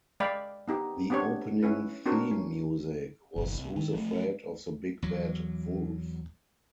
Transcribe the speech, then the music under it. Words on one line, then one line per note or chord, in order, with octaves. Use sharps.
The opening theme music was Who's Afraid of the Big Bad Wolf?
G#3 D5 F5 G5 B5
B3 D#4 G4
B3 C4 D4 G4 C#5
C#4 E4 B4
C4 D4 F#4 A#4
C#4
F#1 B1
C2
D#3
F3 A3
E2 F#3